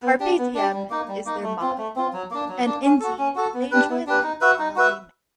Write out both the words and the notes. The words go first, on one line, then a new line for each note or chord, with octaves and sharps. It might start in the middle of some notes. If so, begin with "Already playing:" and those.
Carpe diem is their motto, and indeed, they enjoy life while they may.
B3
D4 G4
B3
D4 G4
G3
A#3 D#4
G3
A#3 D#4
A3
C4 F4
A3
C4 F4
F#3
A#3 D4
F#3
A#3 D4
C#4
F#4 A4
C#4
F#4 A4
B3
D4 G4 B4
B3
D4 G4 B4
D#4
F#4 B4 E5
D#4
F#4 B4 E5